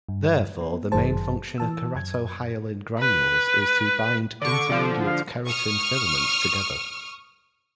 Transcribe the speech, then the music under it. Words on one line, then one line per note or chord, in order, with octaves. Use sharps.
Therefore, the main function of keratohyalin granules is to bind intermediate keratin filaments together.
G2
B3
G1 F#2 D#3 G#4 C5 A5
E3 A5 E6
F#2 G#6
B4
D3 C#6 D6
D3 F3
F5
C#6 D#6 F6